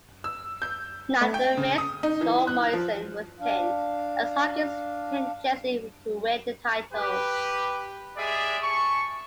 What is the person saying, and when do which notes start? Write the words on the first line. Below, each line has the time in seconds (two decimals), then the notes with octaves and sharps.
Neither Miz nor Morrison were pinned, as Hawkins pinned Jesse to win the titles.
0.24 E6
0.62 G6
1.21 A3
1.34 G5
1.57 C#3
1.78 D#6
2.03 D#4
2.21 E3
2.47 F#6
2.73 F3
3.40 D4 F5
6.93 G4 B4
8.17 G#3 G4 G#4 D5 E5
8.62 G#5 A5 C#6